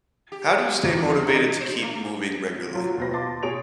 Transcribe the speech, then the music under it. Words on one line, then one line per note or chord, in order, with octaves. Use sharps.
How do you stay motivated to keep moving regularly?
G4
D#2
D4
C5
A3
F#3 F4
D#2 B2 F4 B4 C5 A#6
A5 C6 D6 A6
B2 G#4 C#5 D7 F7